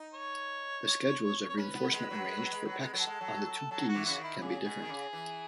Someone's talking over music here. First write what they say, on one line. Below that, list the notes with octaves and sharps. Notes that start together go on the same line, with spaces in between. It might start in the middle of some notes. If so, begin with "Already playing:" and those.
The schedules of reinforcement arranged for pecks on the two keys can be different.
Already playing: D#4
C#5
C#5
C#4 B4
B3
G#3
F#3
G#3
F#3
G#3
F#3
G#3
F#3
A4
G#3
F#3
F#3 A4
F#4
E3
C#3 F#4
D#3
E4
C#3 G#4
B2
D#3
C#3
E3